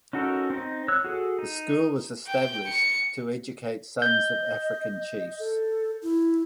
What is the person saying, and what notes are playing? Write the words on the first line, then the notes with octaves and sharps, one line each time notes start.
The school was established to educate sons of African Chiefs.
C#4 D#4 F#4 A4 A#4
C4 D#4
C#5 E6 F#6
F#4 G#4 A4
D#4
G5
C#7
D#5 G6
A4
E4